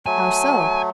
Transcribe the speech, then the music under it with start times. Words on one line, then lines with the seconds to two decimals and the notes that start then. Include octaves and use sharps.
"How so?"
0.06 F#3 A3 G#5